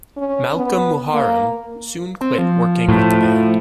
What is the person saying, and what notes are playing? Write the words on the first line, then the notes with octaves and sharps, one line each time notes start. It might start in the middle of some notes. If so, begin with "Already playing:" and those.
Malkolm Muharem soon quit working with the band.
C#4
B3
A#3
C4
F3
A2